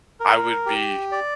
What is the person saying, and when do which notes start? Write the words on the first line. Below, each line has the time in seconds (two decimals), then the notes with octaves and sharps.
I would be
0.20 A#4
0.66 G4
1.12 D5